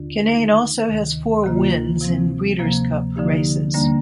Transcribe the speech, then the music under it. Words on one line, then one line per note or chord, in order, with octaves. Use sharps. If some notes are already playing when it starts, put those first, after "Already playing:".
Kinane also has four wins in Breeders' Cup races.
Already playing: D#2 D3 D4 F4
D#3 A3 D#4
D2 C3 D#3
D2 C3 D#3 A#3 F4
C3 F3 C4
D2 C3 F3 A#3
D3 F3 A#3 D#4 G4
D#2 D3 G3 A#3 D4